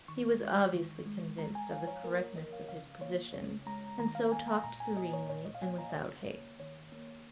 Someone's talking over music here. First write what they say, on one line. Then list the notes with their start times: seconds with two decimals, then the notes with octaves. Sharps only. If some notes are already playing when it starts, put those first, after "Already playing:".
He was obviously convinced of the correctness of his position, and so talked serenely and without haste.
0.08 D#3 C#6
0.40 G#3
0.73 D#3
1.06 G#3
1.38 G#3 A#5
1.55 G#5
1.71 F3 F5
1.87 C#5
2.04 A#3 A#4
2.20 C#5
2.36 F3 D#5
2.53 F5
2.69 C#3 F5
3.01 A#3 C#5
3.34 C#3 C#5
3.67 G#3 A#5
3.99 D#3 A#5
4.15 F5
4.32 A#3 G#5
4.48 A#5
4.64 A#2 A#5
4.80 G#5
4.96 A#3 D#5
5.13 C#5
5.29 A#2 C#5
5.45 D#5
5.55 F5
5.62 A#3 G#5
5.78 A#5
5.90 D#5
5.94 C#3 C#5
6.27 A#3
6.59 D#3 C#5
6.92 A#3